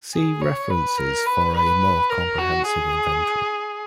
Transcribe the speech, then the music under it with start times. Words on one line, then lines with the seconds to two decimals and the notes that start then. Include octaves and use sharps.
See references for a more comprehensive inventory.
0.14 G#4
0.42 C#5
0.70 B4
0.98 A#4
1.26 B4
1.54 B4
2.10 A#4
2.38 F#4
2.66 G#4